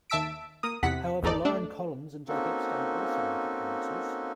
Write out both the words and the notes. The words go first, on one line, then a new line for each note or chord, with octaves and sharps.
However, Lauren Collins and Jake Epstein also make appearances.
D#2 E5 A5 E6 B6 D7
A#3 D#6
E2 C3 F#5 B6
G#1 E2 A3 D#4 D5
A3 D4
A#3 C4 C#4 D#4 F#4 A4